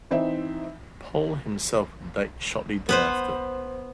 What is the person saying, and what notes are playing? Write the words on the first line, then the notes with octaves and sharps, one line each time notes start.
Paul himself died shortly thereafter.
E3 C4 D#4 E5
B3 B4 C5